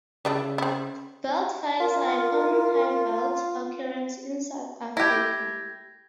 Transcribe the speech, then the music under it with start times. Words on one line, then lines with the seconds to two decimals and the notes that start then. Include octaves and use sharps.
Veld fires are a common Highveld occurrence in South Africa.
0.25 C#3 C#4 D4 E4
0.58 C4 E4
1.80 F4 A#4
4.97 E4 G4 G#6 A#6